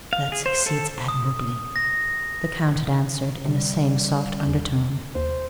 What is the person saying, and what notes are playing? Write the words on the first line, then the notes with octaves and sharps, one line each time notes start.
'That succeeds admirably,' the Count had answered, in the same soft undertone.
F5
G#4
C5
A4
D#6
A#6
C3 G3
E2
D#2 C5